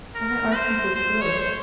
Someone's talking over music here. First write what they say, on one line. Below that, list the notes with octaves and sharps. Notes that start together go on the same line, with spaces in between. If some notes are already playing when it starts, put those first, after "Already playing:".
Why are people poor?
A#4
C5
C5
C#5
C5